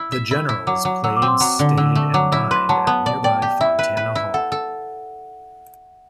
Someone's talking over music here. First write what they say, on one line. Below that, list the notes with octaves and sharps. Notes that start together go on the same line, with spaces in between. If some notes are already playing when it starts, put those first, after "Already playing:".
The Generals' players stayed and dined at nearby Fontana Hall.
Already playing: E4 E6
E5
E4
E4
F#3 D6
F#3
F#3 E6
D6
C4
C6
F#3 D6
D3
D3 E6
A3
F#3 D6
E4
B4 C6
F#3 A5
B3 A5
D5
D5 G5
G4
E4 E5
B4
B4
E4
A4 F#5
A4